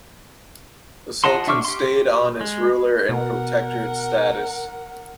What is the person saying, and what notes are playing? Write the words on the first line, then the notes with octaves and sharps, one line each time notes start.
The Sultan stayed on as ruler in protectorate status.
F4 D#5 F#5 A5 C6
D4 E5 C#6 D6 F6
G4 C6
G#3
B2 A#4 F#5